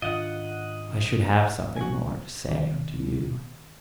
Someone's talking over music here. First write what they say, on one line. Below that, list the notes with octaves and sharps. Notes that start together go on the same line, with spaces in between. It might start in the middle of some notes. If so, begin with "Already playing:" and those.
I should have something more to say unto you!
G#2 D#3 D4 F4 D#5 F#5
F#4 G#5
D#3